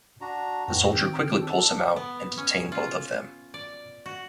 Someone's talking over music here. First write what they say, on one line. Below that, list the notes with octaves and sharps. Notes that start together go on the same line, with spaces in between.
The soldier quickly pulls him out and detain both of them.
D4 F#4 A#5
F2 A2 D#3 C4 F#4 A#6
D#3 C4 G5
D4 A4
B3
C#4
F4
D5
F#4